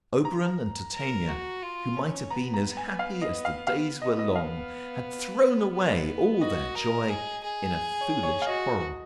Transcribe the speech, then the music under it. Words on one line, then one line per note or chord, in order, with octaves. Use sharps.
Oberon and Titania, who might have been as happy as the days were long, had thrown away all their joy in a foolish quarrel.
A#5
A#4
F#4
F4
C#4
B3 A#5
A#5
G#5
F5
D#5
F5
B3 F5
B3 D#5
D#5
F5
B3
F#4 D#5
A#4
G#4
G#4
C#5
C#5
F5
F#4 D#5